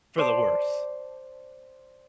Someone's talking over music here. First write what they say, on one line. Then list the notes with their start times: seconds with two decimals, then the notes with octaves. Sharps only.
for the worse.
0.18 C5 D5 A5